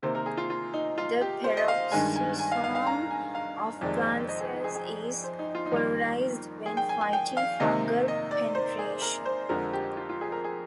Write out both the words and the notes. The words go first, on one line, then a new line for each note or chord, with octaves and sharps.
The peroxisome of plant cells is polarised when fighting fungal penetration.
C3 D#3 A#3 C5
A#4
G#4
F4
F4
D#4
F4
G4
C5
D#5
F5
G2 D#3 G#3 G#5
G#5
G#5
F5
F5
F5
A#5
G#5
F5
F2 C3 D#3 G#3 D5
C5
D#5
G#4
D#4
G#4
G#4
C5
D#4
F4
D#4
F2 D#3 G3 A#3 F4
G#4
G5
G#5
G#5
G5
F5
C3 D#3 A#3 D#5
D#5
D5
C5
G#4
A#4
C5
F2 D3 F3 G#3 A#4
G4
F4
F4
G#4
A#4
G#4